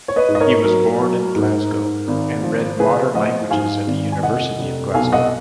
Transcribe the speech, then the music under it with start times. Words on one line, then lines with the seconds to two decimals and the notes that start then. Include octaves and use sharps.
He was born in Glasgow, and read Modern Languages at the University of Glasgow.
0.08 C#5
0.16 B4 D#5
0.28 G#2
0.35 D#5
0.40 A#4 C#5
0.64 F#3 A#4
1.00 F#3
1.36 G#2
1.72 G#2
2.08 G#1
2.43 F3
2.79 C#3 G#4 B4
3.15 F3 D#5 F#5
3.51 G#2 F5 G#5
3.87 G#1
4.12 G#5
4.23 F1 D#5 F#5
4.58 F1
4.94 B1 F5 G#5
5.12 D#5 F#5